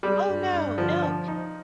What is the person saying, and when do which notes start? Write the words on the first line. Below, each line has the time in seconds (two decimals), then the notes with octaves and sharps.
Oh, no, no.
0.03 G3 G#3
0.28 G2
0.53 G2
0.77 D3 F3
1.02 F3
1.28 D#4